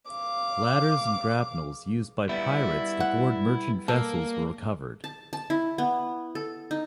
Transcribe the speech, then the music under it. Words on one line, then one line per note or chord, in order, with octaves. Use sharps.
Ladders and grapnels used by pirates to board merchant vessels were recovered.
F5 D6
G3 B3 E4
F#5
A#3 A4
A5
A5
E4
B3
A4
D#4